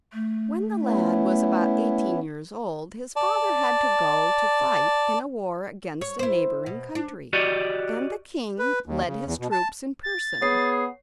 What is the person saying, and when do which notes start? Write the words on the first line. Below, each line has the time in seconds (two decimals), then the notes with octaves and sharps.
When the lad was about eighteen years old his father had to go to fight in a war against a neighbouring country, and the king led his troops in person.
0.13 A3
0.82 B3 C#4 E4
3.16 D5 A5
6.01 C#5
6.19 E4 C5
6.66 B2
6.95 D4
7.33 F#4 G4 D5 D#5
8.59 B4
8.86 D#2
9.07 C#3
9.25 E2
9.39 B2
9.52 A5
10.03 A6
10.42 B3 G#4 C#5 C7